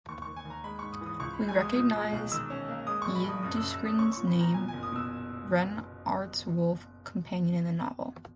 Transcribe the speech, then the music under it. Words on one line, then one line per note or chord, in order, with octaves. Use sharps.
We recognize d’Ysengrin’s name, Renart’s wolf companion in the novel.
D#2 C#6
C#6
D#2
G#5
D#2
A#5
G#3 B5
G#2 C#6
D#6
E3
D#6
C#2 C#6
B5
G#3
G#5
G#3 D#6
A#2 D#6
G#3
B1
D#3 E6
C#4
A#3
G#3 D#6
A#1 C#6
B5
A#1
D#6
F#2 D#6
C#3 E6
E6
F#2
D#6
C#4 C#6
A#2 C#6
B5
A#2
A#5
B2 G#5
G#5
F#1
D#6
B2 E6